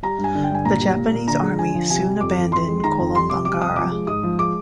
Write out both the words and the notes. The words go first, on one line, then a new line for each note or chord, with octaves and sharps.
The Japanese Army soon abandoned Kolombangara.
G3 A#5
G2
G#5
D3
G5
G2 G#5
A#2 A#5
G3
A#2
A#2
D3 A#5
G#3
D3 G#5
F3
C3 G#5
G3
F2 D6
F2
F2 C6
G#3
D#3 A#5
F2
G3 C6
C3 D6
G3 D6
C3 D#6
F3 D6
G#3
G#2 D#6
F3
G#3 D6